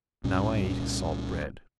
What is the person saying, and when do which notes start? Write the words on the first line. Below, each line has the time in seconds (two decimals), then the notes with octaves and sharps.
Now I eat his salt bread.
0.24 C2 A#2 G3 C#4